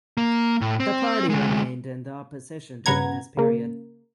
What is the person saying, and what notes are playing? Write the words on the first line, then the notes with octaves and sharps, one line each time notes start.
The party remained in opposition during this period.
A#3
A2
C4
D2 G#3
G2 C#3 B4 F#5 A#5 G#6
C#3 A#3